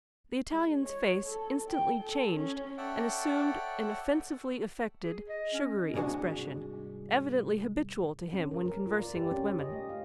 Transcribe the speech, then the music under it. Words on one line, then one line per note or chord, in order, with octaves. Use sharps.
The Italian's face instantly changed and assumed an offensively affected, sugary expression, evidently habitual to him when conversing with women.
G#3
C#5
A4
G5
A4
C#4
A4 C#5 D5 E5 F#5 G5
G#4
D#5
C#4
C2 G#2 G#3 D4 F#4 G#5
C#4
A#4
A#4
F4
D5
G4
C#4
D#5
A3
F5